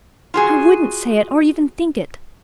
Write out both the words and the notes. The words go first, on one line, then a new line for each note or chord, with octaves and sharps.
I wouldn't say it, or even think it.
F4 F#4 G#4